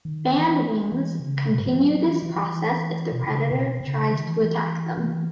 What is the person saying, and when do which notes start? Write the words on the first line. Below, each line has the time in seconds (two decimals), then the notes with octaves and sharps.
Bandwings continue this process if the predator tries to attack them.
0.05 D#3
0.34 E3
0.92 E3
1.20 C#3
1.49 B2
1.59 G#2
1.68 E3
1.79 F#3
2.07 E3
2.22 E3
2.36 E3
3.12 B2
3.24 C#3
3.52 B2
3.80 C#3
4.10 D#3
4.25 E3
4.97 E3